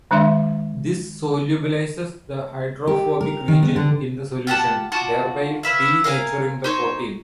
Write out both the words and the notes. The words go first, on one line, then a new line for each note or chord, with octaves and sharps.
This solubilises the hydrophobic region in the solution, thereby denaturing the protein.
D#3 G#3 D4 E5 C6
G4
A#4
D#3
B3
D3
F4 G4 F#5 A5
F4 F#4 A5 D6
E4 B4 E5 F5
A#4 F5 F#5 G#5
D#4 C5 C#5